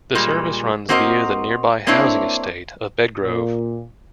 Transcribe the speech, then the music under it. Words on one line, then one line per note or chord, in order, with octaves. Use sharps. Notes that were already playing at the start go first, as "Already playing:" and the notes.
The service runs via the nearby housing estate of Bedgrove.
A#2 G3 G#3
A#3 C4 F#4 A#4 C5 D#5
A#3 C4 D4 E4 C#5
A#2